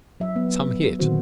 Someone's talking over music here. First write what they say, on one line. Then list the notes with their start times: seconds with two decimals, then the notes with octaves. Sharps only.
Some hit!
0.20 F#3 E5
0.36 B3
0.99 A#2 D3 D#3 C4 F#4 C5